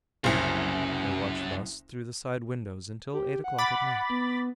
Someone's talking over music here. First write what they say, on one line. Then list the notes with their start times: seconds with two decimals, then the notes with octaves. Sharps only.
They watched thus through the side windows until eight o'clock at night.
0.24 F#1 C2 F#2
3.13 G4
3.44 F#5
3.58 B5 D6 A6
4.10 B3